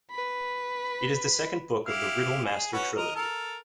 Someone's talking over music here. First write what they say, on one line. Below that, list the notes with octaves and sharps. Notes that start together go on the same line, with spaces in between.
It is the second book of the Riddle Master Trilogy.
B4 B5
E4 G4 F5
G#4
C#4 F#4 B4
A#4 D#5
A4 A#4